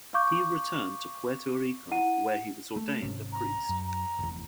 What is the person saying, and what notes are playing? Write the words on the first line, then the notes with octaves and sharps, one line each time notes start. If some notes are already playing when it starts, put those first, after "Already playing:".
He returned to Puerto Rico where he was ordained a priest.
F5 C#6 D6 G6
E4 F#5 D#7
A3
G#1 C3 C#4
A#5
F#2
A#5
F1 E2